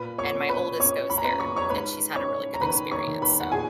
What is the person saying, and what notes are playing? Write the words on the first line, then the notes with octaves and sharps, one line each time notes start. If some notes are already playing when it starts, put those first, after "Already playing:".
and my oldest goes there and she's had a really good experience, so
Already playing: A#2 B4 B5
C#5 C#6
C#4
B4 B5
C#4 C#5 C#6
B5
A#5
C#4 B4 B5
C#6
C#5 C#6
G#2 B4 B5
C#4 C#5 C#6
A#5
D#3 B4 B5
C#5 C#6
D#3
B4 B5
F#5
A#2 G#4 G#5